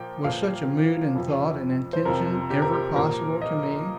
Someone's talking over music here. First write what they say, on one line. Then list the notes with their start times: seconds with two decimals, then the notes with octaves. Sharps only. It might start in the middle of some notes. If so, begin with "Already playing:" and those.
Was such a mood and thought and intention ever possible to me?
Already playing: A#2 F3 G5
0.24 A#2 F3 F5
1.15 F2 C3 F3
1.93 C5
2.05 F2 C3 F3 A#4
2.50 G4
2.62 A#4
2.73 G4
2.95 A#2 F3 A#4
3.42 D#5